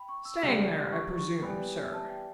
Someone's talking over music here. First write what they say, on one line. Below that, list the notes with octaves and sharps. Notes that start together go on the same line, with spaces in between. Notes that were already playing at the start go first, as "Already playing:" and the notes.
'Staying there, I presume, sir?'
Already playing: G5 B5
C#6
E6
C#2 C#3 G3 D4
C#6
C#6
E3 G3 B3 B5
D5
E5
A5
G5